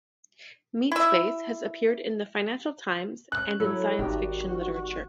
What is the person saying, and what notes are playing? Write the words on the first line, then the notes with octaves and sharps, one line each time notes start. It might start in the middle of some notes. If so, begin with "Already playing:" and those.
"Meatspace" has appeared in the "Financial Times" and in science fiction literature.
E4 E5
C#4 F#6
F#3 E4 A4 C#5
G#1 G3 D#4 F#4 G4